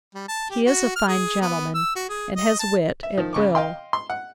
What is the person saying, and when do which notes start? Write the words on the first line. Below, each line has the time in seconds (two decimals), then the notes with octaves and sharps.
He is a fine gentleman, and has wit at will.
0.14 G3
0.28 A5
0.50 G4
0.66 F#4
0.96 F6
1.08 G#4
1.42 B3
1.74 E6
1.96 F#4
2.09 G#4
2.36 D#5
2.60 A5
3.03 E5
3.17 D#3 F3
3.33 C#3 C#6 D6
3.55 D#5 F5 G5 C6
3.93 C6
4.10 F#5